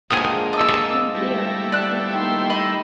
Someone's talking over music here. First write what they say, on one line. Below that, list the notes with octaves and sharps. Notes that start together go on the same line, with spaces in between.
My dear, I think so now.
D3 F3 G#3 A#3 G#5 D#6
D#5 A5 D6 E6
G3 A3 E4 A#6
C5 D5 A5 F#6
D#3 C6 E6
D#5 B5